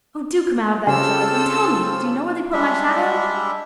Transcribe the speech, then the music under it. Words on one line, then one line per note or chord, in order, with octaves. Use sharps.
"Oh, do come out of that jug, and tell me, do you know where they put my shadow?"
C#3 C4 F4 G4 A4 G#5 A5 E6
G3 G#3 D4 E5